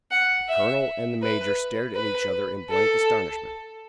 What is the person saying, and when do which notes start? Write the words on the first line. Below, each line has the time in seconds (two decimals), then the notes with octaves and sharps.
The colonel and the major stared at each other in blank astonishment.
0.11 F#5
0.48 E5
1.22 B4
1.95 B4
2.70 A4